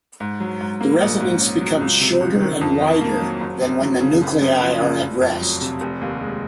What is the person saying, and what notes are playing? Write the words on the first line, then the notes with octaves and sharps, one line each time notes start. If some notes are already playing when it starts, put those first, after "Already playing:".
The resonance becomes shorter and wider than when the nuclei are at rest.
G#2
F#3
G#2
A#3
A#1
G#2
C#4
F#3
C#2
C3
C#2
D#3
F2
D#3
A#3
F#3
F#1
F#2
F#3
C#3
F#1
F#2
F3
C#3
F1
F2
F#3
C3
F1
D#2
G#3